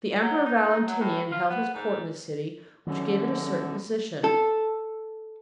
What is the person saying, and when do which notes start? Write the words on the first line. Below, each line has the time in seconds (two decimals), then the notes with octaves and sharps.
The Emperor Valentinian held his Court in the city, which gave it a certain position.
0.21 F#3
0.46 D#4
0.87 F#3
1.01 A2
1.32 F4
1.49 B3
1.74 G#2
2.86 E2 B2 D3 D#3 F#3 C#4
4.24 A4